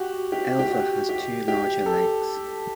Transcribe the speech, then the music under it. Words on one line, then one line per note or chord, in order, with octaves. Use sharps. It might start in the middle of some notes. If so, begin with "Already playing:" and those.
Elva has two larger lakes.
Already playing: F#4 G4
G4
G4
F#4
G4
G4
A4